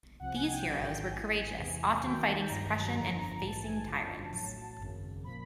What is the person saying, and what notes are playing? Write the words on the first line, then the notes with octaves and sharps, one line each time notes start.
These heroes were courageous, often fighting suppression and facing tyrants.
C2 C3 F3 F#5
G#5
G5
A1 G#2 D#3 F#3 G5
G5
A1 A2 E3 G#5
E2 C3 E3
D#2 D#3 F#3 G5
A5
A5
G1 G2 D#3 F#3 A#5
A#5
G1 F2 D3 F3 A#5
A#5
A#1 G#2 E3 A5
G#5
G1 F#2 D3 F3 A5
A1 A2 F#3
G#1 F#2 C#3
A#2 F3 B5